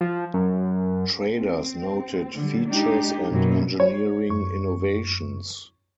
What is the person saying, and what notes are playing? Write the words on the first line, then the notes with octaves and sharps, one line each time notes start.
Traders noted features and engineering innovations.
F3
F#2
C4
D3 G3
G#3 D4 D#4 G4
F#2 B2 F#3 A#3 C#4
C#5
F#2 C#6